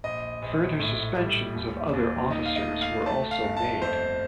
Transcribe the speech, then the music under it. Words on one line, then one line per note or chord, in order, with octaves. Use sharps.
Further suspensions of other officers were also made.
A#1 D#5
A#1
A2
G3
D#2
D#2
D#3 D#5
F5
D#5
A3
F5
A3 A5
F5
G1
A5
F2 C5